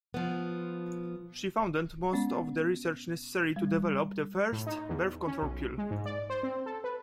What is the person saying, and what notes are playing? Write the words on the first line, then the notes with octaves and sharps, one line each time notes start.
She funded most of the research necessary to develop the first birth control pill.
F3 B3
G#3 B3 C#4
G3
A2
D#4
E2
C#4
B1
G#3
G#2
D5
C5
C4
A4
B4